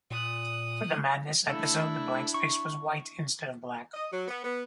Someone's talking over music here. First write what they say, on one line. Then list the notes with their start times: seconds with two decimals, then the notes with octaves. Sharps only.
For the "Madness" episode, the blank space was white instead of black.
0.11 A#2 D#6 F#6
1.47 A3 D4 E4 A4
2.34 C#6
3.94 D#5
4.13 F#3
4.28 B3
4.44 B3